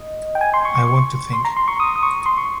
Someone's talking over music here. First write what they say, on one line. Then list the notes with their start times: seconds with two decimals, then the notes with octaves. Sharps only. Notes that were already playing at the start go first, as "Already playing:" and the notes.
I want to think.
Already playing: D#5
0.35 G5
0.41 G#5
0.54 C6
0.65 C#6
0.75 C#6
0.87 C#6
1.33 C6
1.45 A#5
1.57 C6
1.68 C#6
1.80 D#6
1.96 D#6
2.03 C#6
2.26 C6
2.38 C#6